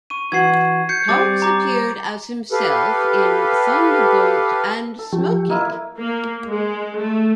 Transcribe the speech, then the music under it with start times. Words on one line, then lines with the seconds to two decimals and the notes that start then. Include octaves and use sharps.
Parkes appeared as himself in Thunderbolt and Smokey!
0.10 C#6 D#7
0.32 E3 F#4 G#6 C7
0.89 G6 C7 C#7
1.09 G3 C4 D6 A6
1.42 A#5 D6
1.69 A#5
2.52 G4 A4 B4 F5
4.99 A4
5.13 F3 G4 C#6
5.50 A#3 E4 D#5 F5
5.98 A#3
6.48 G#3
6.98 A3